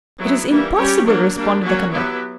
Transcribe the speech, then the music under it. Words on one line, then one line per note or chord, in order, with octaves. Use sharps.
"It is impossible," responded the conductor.
F#3 B3 E4
E3 G3 A#3 E4
G3 C#4 G4 C#5
F#3 A#3 D4 A#4
G3 A#3 D4
F#3 A#3 C#4 F#4 C#5
F#3 B3 E4 G4 B4